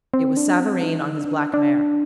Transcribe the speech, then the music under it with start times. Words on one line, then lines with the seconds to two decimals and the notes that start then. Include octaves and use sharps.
It was Savareen on his black mare.
0.14 C4
0.37 D4
0.60 C4
0.83 D#4
1.19 D4
1.54 D4